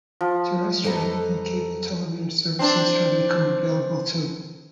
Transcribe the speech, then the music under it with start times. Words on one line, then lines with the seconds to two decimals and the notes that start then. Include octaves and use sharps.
Terrestrial and cable television services have become available too.
0.21 F3
0.83 F2 G3 A4 B4 D#5 A#5
2.59 C4 D4